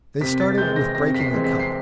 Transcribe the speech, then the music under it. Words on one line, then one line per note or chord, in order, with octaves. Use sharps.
They started with breaking a cup.
C3 B6
A6
E3 G#3 C4 G6
A#6
C3 A#6
B6
C7
E3 G#3 C4
B6
C7